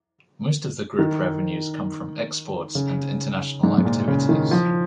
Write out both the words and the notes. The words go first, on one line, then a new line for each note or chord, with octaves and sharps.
Most of the Group revenues come from exports and international activities.
D#3
C#3
G#2
G#2
A#2
C#3
D#3
F3